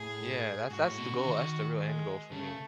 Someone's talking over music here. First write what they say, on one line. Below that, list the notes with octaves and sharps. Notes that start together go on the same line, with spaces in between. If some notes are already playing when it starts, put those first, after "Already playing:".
yeah, that's that's the goal that's the real end goal for me.
Already playing: A2 G#4
G#2 F#4
A2
B2
C#3
D#3
G#3
C#3 A3